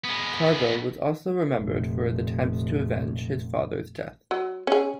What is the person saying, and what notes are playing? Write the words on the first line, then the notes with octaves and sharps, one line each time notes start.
Carbo was also remembered for his attempts to avenge his father's death.
G#3 B3
F1 A#2
F#3
C#4 G#4